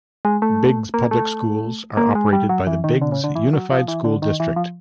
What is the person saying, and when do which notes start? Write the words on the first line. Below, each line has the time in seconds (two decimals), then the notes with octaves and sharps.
Biggs's public schools are operated by the Biggs Unified School District.
0.25 G#3
0.42 A3
0.94 A#3
1.11 A3
1.97 A#3
2.15 G#3
2.33 G3
2.49 F#3
2.67 E3
2.84 D#3
3.01 D3
3.12 C#3
3.24 D3
3.35 E3
3.53 F#3
3.71 F3
3.88 E3
4.04 D3
4.22 D#3
4.40 E3
4.56 F3